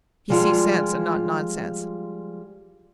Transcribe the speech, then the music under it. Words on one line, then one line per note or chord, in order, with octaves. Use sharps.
He sees sense, and not nonsense.
F3 G3 G#3 F4